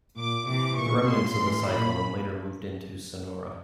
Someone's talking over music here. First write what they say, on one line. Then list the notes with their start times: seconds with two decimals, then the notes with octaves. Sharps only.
The remnants of the cyclone later moved into Sonora.
0.16 A#2 D6
0.47 C3 E3 D6
0.77 A#2 C#6
1.07 A#2 C6
1.37 A2 E3
1.68 A#2 B5